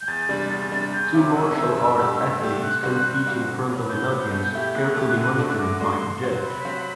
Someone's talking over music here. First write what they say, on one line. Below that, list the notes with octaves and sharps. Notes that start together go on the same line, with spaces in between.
Two martial art athletes compete in front of an audience, carefully monitored by the judge.
G6
E2 A6
C3 G3 D4
E2
C3 G3 D4
E2 G6
C3 F#3 C4 E4 D6
E2 E6
C3 F#3 C4 E4
G2
D3 A3 D4 G4
G2
D3 A3 D4 G4
C3 F#6
G3 C4 F#4
C3
G3 C4 F#4
D3
F#3 B3
D3 G6
F#3 B3
B2
A3 E4 G4
B2 F#6
A3 E4 G4
F#2
D3 A3 D4 F#4
F#2 D6
D3 A3 D4 F#4 C6
C3
F#3 C4 F#4
C3 B5
F#3 C4 F#4